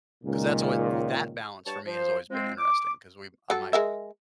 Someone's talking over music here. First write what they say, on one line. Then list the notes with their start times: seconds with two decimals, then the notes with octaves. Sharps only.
'Cause that's alway th that balance for me, has always been interesting, 'cause we I might
0.24 C#2 A#2 D#3
1.66 G2 F#3 C#5 A5 C#6
1.86 F3 C5
2.29 F3 G#3 C4
2.58 D6
3.50 F#3 A4
3.73 G#3 A#4 E5